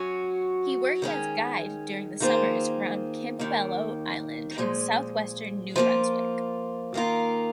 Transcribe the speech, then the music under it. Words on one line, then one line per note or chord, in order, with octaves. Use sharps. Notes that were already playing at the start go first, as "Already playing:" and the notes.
He worked as guide during the summers around Campobello Island in southwestern New Brunswick.
Already playing: F#3 C#4 F#4
D#3 G#3 C#4
D#3 A#3 F4 G#4 C5
D#2 D#3 A#3
A#2 F3 G#3
F3 A#3 F4
D#3 A#3 F4 A#4